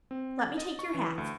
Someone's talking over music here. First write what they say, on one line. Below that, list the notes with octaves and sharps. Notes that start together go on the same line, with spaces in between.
Let me take your hats.
C4
A6
D#5
C#6
E3
D2